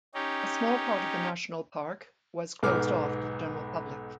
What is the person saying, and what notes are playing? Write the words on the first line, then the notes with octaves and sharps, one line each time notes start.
A small part of the national park was closed off to the general public.
C#4 D#4 G4
B1 G#2 B3 D6 F6